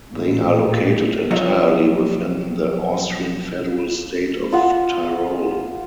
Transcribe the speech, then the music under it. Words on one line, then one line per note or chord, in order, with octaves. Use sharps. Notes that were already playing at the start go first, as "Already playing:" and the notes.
They are located entirely within the Austrian federal state of Tyrol.
A1 A#2
B1 F2 F#3 F4 C#5 D#5
F4 F#5